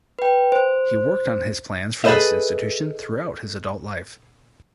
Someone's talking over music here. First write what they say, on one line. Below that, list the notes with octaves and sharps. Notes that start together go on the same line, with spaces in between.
He worked on his plans for this institution throughout his adult life.
B4 G5
C5
G#4 A4 B4 C5 D#5 E5